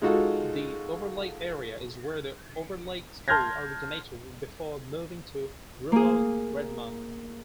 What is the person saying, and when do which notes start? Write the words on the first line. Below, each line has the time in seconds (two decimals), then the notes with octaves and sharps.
The Overlake area is where The Overlake School originated before moving to rural Redmond.
0.02 G#3 D#4 F4 F#4 A4
3.28 A5 C6 F6 G6 G#6 A#6
5.92 A#3 G#4